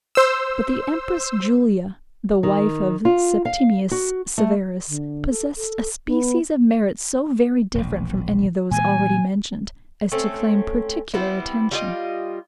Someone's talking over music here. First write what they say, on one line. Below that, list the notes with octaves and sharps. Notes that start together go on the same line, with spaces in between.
But the empress Julia the wife of Septimius Severus, possessed a species of merit so very different from any of those already mentioned, as to claim particular attention.
C5 E6
D#3
F4
F5
F#4
A3
D3
A4
A4
B3
E1 A#1
A#2 E3 G#3 G#5
A3 C4 C#4
G3 B3 C4 E4
G3 F4 F#4 D#5